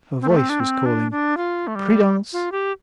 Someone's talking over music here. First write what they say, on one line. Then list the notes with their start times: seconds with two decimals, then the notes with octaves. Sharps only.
A voice was calling, "Prudence!"
0.21 C4
0.29 A3
0.36 C4
0.49 D4
0.60 C4
0.86 D4
1.11 D4
1.37 F4
1.67 A3
1.75 G3
2.33 F4
2.52 G4